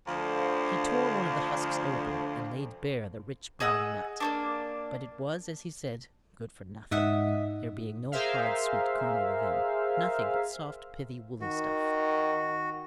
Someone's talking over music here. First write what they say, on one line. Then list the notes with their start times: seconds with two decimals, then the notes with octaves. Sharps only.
He tore one of the husks open, and laid bare the rich brown nut; but it was, as he said, good for nothing, there being no hard sweet kernel within, nothing but soft pithy woolly stuff.
0.07 D2 D3 F3
3.60 G#4 D#5 F#5 E6
4.20 A#3 C#4 D4
6.91 G#2 D#4 D#5 E5 F#5
8.12 G#4 A#4 C5 E5 F5
11.41 D#3 F#4